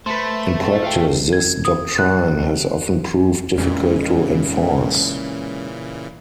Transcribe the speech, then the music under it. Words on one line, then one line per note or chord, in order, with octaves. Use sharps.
In practice this doctrine has often proved difficult to enforce.
A3 B4 C5
F4 F5 G5
G#6
D#6
F#6
F2 A#2 C#3 E3 G#3 A#3 C#4